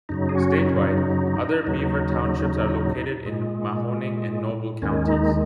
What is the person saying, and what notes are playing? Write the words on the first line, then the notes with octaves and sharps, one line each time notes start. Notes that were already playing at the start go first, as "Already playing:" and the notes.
Statewide, other Beaver Townships are located in Mahoning and Noble counties.
F#2 C#3 F#3 D#4
G#4
C#4 F#4
D#4
C#4
D#4
D#4
D#4
D#2 C#3 F#3
A#2 G#3
D#2 D#3 G#3 C#4
D#4